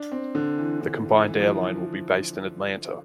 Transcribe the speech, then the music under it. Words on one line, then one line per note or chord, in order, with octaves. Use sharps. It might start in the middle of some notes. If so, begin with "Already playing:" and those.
The combined airline will be based in Atlanta.
Already playing: D4
C4
D3
E3
D3
E3
E3
F3
E3